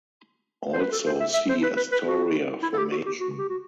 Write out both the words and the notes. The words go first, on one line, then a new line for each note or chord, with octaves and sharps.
Also see Astoria Formation.
C5
B4
A4
C5
E5
E5
C5
B4
B4
B4
F#4
E4
A4
G4
F#4
G4
F#4
G4
F#4